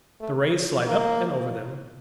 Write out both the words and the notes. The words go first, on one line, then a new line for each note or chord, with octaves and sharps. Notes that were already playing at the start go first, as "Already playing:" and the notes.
The rays slide up and over them.
A3
A#3